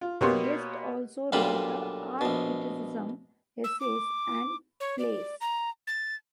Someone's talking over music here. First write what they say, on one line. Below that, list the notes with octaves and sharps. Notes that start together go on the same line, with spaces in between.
Guest also wrote art criticism, essays, and plays.
F4
B2 A#3 B3 G4 C#5 C6
B1 A#2 D3 G3 F4 B5
A#1 B2
E6
D6
C#5
D5
A#5
A6